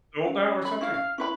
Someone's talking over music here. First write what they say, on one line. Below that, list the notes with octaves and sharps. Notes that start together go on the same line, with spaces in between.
old now or something.
C#4
B5
C#4 E4 F5 F6
F5
C#4 E4 B4 B5